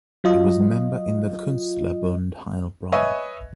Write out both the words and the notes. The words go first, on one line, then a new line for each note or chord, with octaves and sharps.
He was member in the Künstlerbund Heilbronn.
F#3 F4 D#5
B4 C#5 D#5 E5 G#5